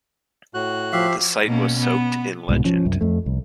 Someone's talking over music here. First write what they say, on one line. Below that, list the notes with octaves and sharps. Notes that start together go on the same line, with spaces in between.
The site was soaked in legend.
A2 F#4 F#6
F3 G4 E5 F5
B2 A#3 C#4
B3
C2 G#2 B2
F3 C#4
C2 F#2
F2 A3
C2